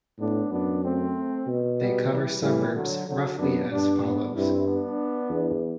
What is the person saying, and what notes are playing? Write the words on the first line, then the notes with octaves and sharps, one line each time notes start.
They cover suburbs roughly as follows.
A2 B3 D4
F#2 B3 D4
A3 C4
B2
G3 B3
E3 G3
A2 E3 G3
D3 F#3
D3 F#3
F#2 B3 D4
G2 B3 D4
B3 D4
G2 C4 E4
B3 D4
E2